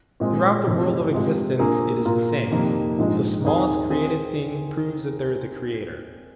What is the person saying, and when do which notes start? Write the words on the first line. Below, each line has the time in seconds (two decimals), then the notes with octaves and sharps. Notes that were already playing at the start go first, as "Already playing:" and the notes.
Throughout the world of existence it is the same; the smallest created thing proves that there is a creator.
0.20 A#2 G#3 C4 G#4
0.67 F1 F2 C3
1.12 C3 G#3 F4
1.59 A#1 A#2 A#3 G#4
2.05 A#2 A#3 F4 A#4
2.52 F2 C3 D#3 A#3
2.99 A#1 G#2 F3 G#3
3.44 D#2 D#3 C4 G#4
3.90 D#3 C4 G#4